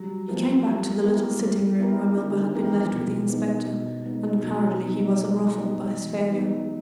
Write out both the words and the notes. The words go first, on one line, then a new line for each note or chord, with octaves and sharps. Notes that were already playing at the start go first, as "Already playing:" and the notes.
He came back to the little sitting-room where Milburgh had been left with the Inspector and apparently he was unruffled by his failure.
Already playing: F#3 G3
F3 B3 E4 G4 A#4
G3
B3 E4 G4 A#4
G3
B3 E4 G4 A#4
D3 G3
D#3
E3 B3 E4 G4 A#4
F3
B2
G#3 B3 D#4
B2
G#3 B3 D#4
B2 F#3
G#3 B3 D#4
B2
G#3 B3 D#4
E3
G#3 B3 D#4